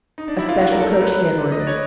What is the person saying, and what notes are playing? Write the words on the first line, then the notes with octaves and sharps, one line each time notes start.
A special coach he had ordered.
D#4
D4
E4
F4
F#4
A#4
A4
A#4
B4
B4
D#5
D5
C#5